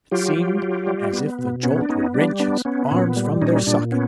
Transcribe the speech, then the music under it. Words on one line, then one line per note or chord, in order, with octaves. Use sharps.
It seemed as if the jolt would wrench his arms from their sockets.
F#3 F4 G4
F#3
F#3
G3
B3
B2
B3 C#4
D4
B3 C#4 D#4
G3 D4
B3 D4
B3 C#4
A#2 C#4
G3
A#2 C#4 D#4
A#2 D4
B3 C#4